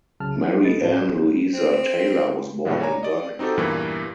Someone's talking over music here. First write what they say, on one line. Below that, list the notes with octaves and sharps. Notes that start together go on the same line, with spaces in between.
Mary Ann Louisa Taylor was born in Birmingham.
C2 C#3 F#3 G#4 A5 F6
F#3 A3 A#3 C#4 E4
C2 A4 B4 D#5 A6
A2 C#4 D5 A5
C4
G2 B2 D3 G3 G#3
C#5 D5 G#5 A#5
D5 D#5
C4 D#4 F#4 G4 A4
E2 G2 A#2 E3 G3 A#3